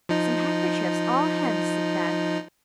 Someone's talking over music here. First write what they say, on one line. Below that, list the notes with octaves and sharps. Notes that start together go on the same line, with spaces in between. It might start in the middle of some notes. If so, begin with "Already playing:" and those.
"Some handkerchiefs, all hemmed," said Beth.
F3 D#4